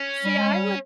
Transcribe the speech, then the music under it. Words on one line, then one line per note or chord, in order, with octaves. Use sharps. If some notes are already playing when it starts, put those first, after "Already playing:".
See, I would
Already playing: C#4
G3
G#3
G3